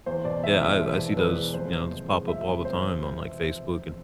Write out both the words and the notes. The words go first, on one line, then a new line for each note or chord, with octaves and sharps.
Yeah, I I see those, you know, those pop up all the time on, like, Facebook and
E2 C5
B2 D5
E2 E5
G#3 E5
E2 C5
B2
E2 B4
G#3
F2 C5
C3
F2
G#3
F2 E5
C3
F2 C5